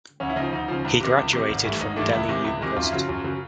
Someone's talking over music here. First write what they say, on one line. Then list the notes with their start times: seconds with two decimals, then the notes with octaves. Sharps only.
He graduated from Delhi University.
0.20 D2 C#4
0.30 E4
0.36 C#3 F3 D#4
0.52 D2 D#4
0.68 C#3 F3
0.85 C#2
1.01 C3 D#3
1.17 C#2
1.33 C3 D#3
1.49 G#1
1.64 G2 E3 A3
1.81 G#1 D#4
1.96 G2 E3 A3 D4
2.13 C#2 E4
2.29 C3 D#3 G#3
2.44 C#2
2.61 C3 D#3 G#3
2.76 F#2 F4
2.84 E4
2.92 C#3 F#3 F4
3.09 F#2
3.24 C#3 F#3